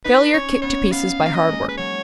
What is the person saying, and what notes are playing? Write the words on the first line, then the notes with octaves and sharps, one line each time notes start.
Failure kicked to pieces by hard work.
D#4 B4
C#4 C#5
B3 C#5
B3 F5
A#3
F5
D#5
G#3
B4
F#3 C#5